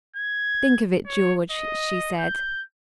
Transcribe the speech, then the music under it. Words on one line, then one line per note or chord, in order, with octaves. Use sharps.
"Think of it, George," she said.
G#6
C#5
D#5
G6